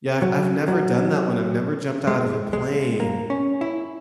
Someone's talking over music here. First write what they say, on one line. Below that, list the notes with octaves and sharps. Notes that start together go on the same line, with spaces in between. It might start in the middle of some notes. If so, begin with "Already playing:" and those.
yeah, I've I've never done that one, I've never jumped out of a plane,
F#3
F#3
G#3
G#3
A#3
C#4
E4